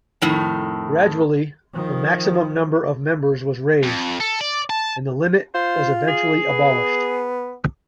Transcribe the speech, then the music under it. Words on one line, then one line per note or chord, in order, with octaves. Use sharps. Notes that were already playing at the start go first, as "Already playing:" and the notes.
Gradually, the maximum number of members was raised, and the limit was eventually abolished.
F2 A2 D#3
D#3 F3
F2
A4
D5
A5
F4 C5
G#4
B3